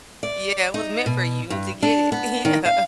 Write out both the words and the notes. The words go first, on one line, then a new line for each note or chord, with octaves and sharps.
Yeah. It was meant for you to get it. Yeah.
D5
D#4
B2
G2
D4
B3
D#3
F5